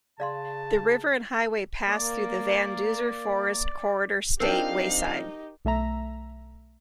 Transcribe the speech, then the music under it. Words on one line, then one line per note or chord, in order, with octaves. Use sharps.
The river and highway pass through the Van Duzer Forest Corridor State Wayside.
C#3 D5 F5 A5 C6
A#3 D5
F3 C4 D4 D#4 G4 A#4 F5
B1 A3 E5 A#5